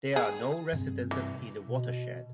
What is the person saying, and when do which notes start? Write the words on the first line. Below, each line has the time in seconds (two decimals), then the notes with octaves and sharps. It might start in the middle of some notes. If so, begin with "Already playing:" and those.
There are no residences in the watershed.
0.16 G#4
0.73 G2 C3
1.11 E3
1.67 B2